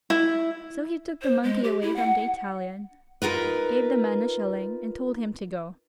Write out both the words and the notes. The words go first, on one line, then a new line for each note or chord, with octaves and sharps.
So he took the monkey away from the Italian, gave the man a shilling and told him to go.
E4
C5
G#3
G4
E4
F#5
D#4 F4 A#4 B4